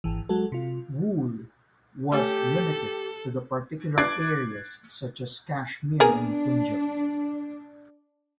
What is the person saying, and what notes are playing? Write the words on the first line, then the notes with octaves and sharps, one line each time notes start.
Wool was limited to the particular areas such as Kashmir and Punjab.
G#1 E3
F#3 G#3 F#4 A4
C3 F4
A3 G4 A4 C#5 G#5
D6 F#6 G#6 A6 C7 D7
B3 D4 G#4 A#4